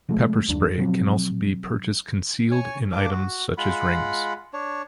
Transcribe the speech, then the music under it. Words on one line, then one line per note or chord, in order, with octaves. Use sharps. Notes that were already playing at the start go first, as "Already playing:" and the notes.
Pepper spray can also be purchased concealed in items such as rings.
C3 F3 G#3 A3
F#1 D#2 G3 D4
B2 F3 F#3 C4
C#5 G#5 C#6
A#3 D4 D6
F#4
G#3 F4 F#5 B5
D4 C#5